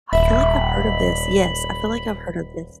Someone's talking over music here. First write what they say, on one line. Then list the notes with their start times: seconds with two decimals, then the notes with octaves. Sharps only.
I feel like I've heard of this. Yes, I feel like I've heard of this.
0.13 D#1 E5 B5